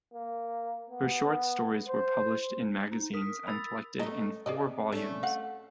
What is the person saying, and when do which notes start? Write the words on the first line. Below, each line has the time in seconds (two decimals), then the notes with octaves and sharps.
Her short stories were published in magazines and collected in four volumes.
0.14 A#3
0.90 B3
1.88 C5
2.92 D#4
3.14 A#4 D#6 B6
3.47 B5 E6 A6
3.99 A3 B3 C#4 A#4 D#5
4.46 C3 G#4 D5 D#5
4.92 A3 C#4 D4
5.23 F5 F#5